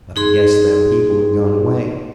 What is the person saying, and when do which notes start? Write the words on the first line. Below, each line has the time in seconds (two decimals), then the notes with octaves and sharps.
But I guess them people have gone away.
0.16 D#4 G#4 C6